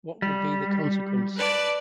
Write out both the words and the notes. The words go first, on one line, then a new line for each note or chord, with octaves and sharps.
What would be the consequence?
G3
B4 D5 A5